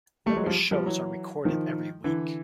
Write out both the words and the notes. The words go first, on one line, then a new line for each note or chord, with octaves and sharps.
Numerous shows are recorded every week.
G3 A3
F#3 G#3
F3 G3
F3 G3
E3 F#3
D#3 F3
D3 E3